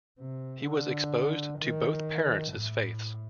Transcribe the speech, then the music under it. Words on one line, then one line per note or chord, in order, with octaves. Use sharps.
He was exposed to both parents' faiths.
C3
D3
D#3
A2